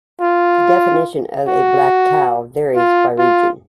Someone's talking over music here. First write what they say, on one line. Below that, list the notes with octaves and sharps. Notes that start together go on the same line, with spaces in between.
The definition of a black cow varies by region.
F4
F#4
F4
F4